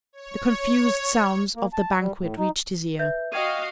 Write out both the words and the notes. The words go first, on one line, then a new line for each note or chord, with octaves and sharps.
The confused sounds of the banquet reached his ear.
C#5
A#3
A5
G3
A2
D#4
B4 E5 G6
F#4 D#5 F5 G5 G#6 D#7